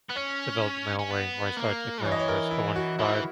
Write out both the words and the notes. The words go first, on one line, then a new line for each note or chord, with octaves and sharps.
developed in my own way where I started to take my own risk, I wanted to drive.
B3
C#4 C#5
C#4
B3
A#3
E3 C#5
D#5
C#5
A#4
E4
F#4
E3 E4